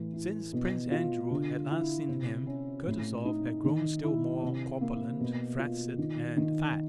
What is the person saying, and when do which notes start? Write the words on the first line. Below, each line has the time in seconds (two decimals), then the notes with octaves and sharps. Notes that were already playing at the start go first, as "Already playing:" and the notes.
Since Prince Andrew had last seen him Kutuzov had grown still more corpulent, flaccid, and fat.
Already playing: A2 E3
0.14 E4
0.53 B2
0.92 F4
1.30 D3
1.70 E4
2.08 C3
2.47 C#4
2.87 A2
3.25 D#4
3.64 D#3
4.04 E4
4.42 C3
4.81 A#3
5.20 B2
5.59 F4
5.98 D#3
6.37 D#3